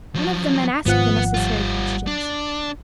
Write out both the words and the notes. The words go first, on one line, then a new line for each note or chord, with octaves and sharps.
One of the men asked the necessary questions.
F3 F#3
G#1 F3 B3 F#5
G3 F4
D4